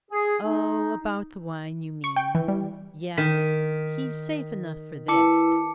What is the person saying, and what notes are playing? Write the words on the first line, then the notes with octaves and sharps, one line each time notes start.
'Oh, about the wine you mean--yes, he's safe enough for that.
G#4
D#4
C#6
G5
E3
G3
D#3 B6
E4 B4 A5 D6 C#7